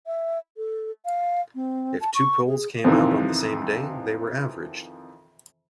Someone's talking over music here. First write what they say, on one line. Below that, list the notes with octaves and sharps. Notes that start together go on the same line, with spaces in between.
If two polls came out on the same day, they were averaged.
E5
A4
F5
C4
A5
C#6
G#4
F2 C3 D#3 E3